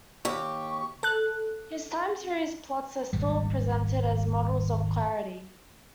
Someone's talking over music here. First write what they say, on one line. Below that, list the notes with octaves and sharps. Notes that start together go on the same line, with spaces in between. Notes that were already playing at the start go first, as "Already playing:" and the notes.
His time-series plots are still presented as models of clarity.
D#2 G4 C#6
A4 F#6
D#1 G#1 G3